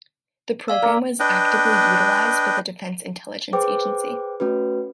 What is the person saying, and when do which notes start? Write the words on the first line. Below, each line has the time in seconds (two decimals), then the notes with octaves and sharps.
The program was actively utilized by the Defense Intelligence Agency.
0.68 D5 F5 E6
0.82 A#3
1.20 D4 B4 D#5 G5
3.53 G#4 B4 C5 G5 D6
4.40 A3 C#4 F#4 B4